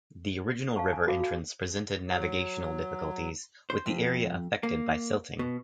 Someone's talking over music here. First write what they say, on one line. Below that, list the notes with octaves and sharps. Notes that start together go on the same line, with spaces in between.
The original river entrance presented navigational difficulties, with the area affected by silting.
F5 A5 C#6
G#5
F#4 A4 F5 D6
F#4 F5
F#3
C5
F2
A#3
B2